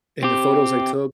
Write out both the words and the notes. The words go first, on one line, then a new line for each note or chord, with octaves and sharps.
and the photos I took
C4 G4